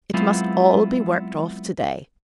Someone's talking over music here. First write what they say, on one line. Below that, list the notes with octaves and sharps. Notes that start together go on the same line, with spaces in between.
It must all be worked off to-day.
F#3 G#3 B3 C4 E4 F4